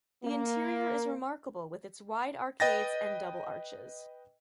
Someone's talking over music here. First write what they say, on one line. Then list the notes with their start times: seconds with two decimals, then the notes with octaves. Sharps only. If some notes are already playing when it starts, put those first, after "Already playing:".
The interior is remarkable with its wide arcades and double arches.
0.24 A#3
2.60 B4 D#5 G5 A6 A#6